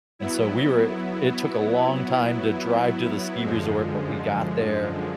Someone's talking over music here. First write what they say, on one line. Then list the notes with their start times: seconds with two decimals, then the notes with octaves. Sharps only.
and so, we were it took a long time to drive to the ski resort, but we got there,
0.19 F#3 B3 E4
3.44 F#2 D3 F3 G#3